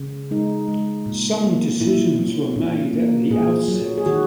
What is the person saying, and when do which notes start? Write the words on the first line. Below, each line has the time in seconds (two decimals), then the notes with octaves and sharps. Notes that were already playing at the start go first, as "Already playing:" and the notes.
Some decisions were made at the outset.
Already playing: C#3
0.31 G#3 D#4
0.68 G#3
1.06 A#2
1.44 A#3
1.80 A#2 E4
2.19 F#3
2.56 A#2
2.93 A#3
3.31 A#2 G#4
3.68 F#3
3.98 G#4
4.06 D#3 F#4